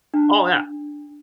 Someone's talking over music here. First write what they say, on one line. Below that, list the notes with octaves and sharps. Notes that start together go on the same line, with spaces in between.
Oh yeah.
D4